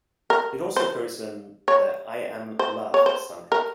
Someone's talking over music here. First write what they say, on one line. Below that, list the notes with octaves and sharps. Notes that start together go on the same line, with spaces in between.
It also appears in the I Am Love soundtrack.
A#4
C5
C#5
C5
C#5
C5
A#4